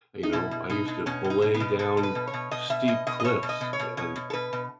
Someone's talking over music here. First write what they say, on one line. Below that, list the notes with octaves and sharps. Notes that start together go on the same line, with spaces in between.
You know? I used to belay down steep cliffs. And
D#4
B2 E4
B2
B2 D#4
B2
B2 C#4
B2
D#4
B2
B3
B2
B2 A4
B2
B4
B2
C#5
B2
B2 D#5
B2 E5
B2 D#5
B2 D#5
D#5
B2 C#5
B2
D#5
B2
C#5
B2
B2 C#5
B2
A4
B2 B4
B2